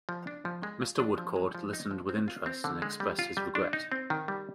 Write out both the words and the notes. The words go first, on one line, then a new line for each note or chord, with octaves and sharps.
Mr. Woodcourt listened with interest and expressed his regret.
F3
D4
F3
G#3
F4
D4
F3
G#3
F3
D#4
F3
C4
F4
C4
D3
G#3
G3
F4
G3
D4
D#4
C4
D#3
G3